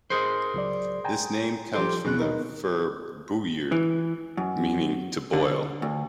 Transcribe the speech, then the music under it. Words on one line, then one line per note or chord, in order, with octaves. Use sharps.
This name comes from the verb "bouillir", meaning "to boil".
G#4 A#4 C5
C#2 F#3 D5
G5 G#5 A#5
F3 G4 A4 C5
D#2 B2 G#4 F#6
B3 D#4 A#4
E3
F#2
D3
D2